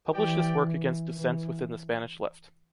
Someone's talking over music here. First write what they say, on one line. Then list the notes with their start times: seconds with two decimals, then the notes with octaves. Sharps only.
Publish this work against dissents within the Spanish left.
0.13 E3 C4 G4 D5 G5
1.16 E3